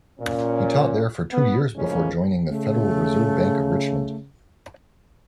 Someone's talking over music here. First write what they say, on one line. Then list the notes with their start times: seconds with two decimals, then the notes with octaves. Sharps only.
He taught there for two years before joining the Federal Reserve Bank of Richmond.
0.20 A#2 C#4
1.31 B3
1.76 A2 C#3 F3 G#3 A#3 C#4
2.48 C#3 A3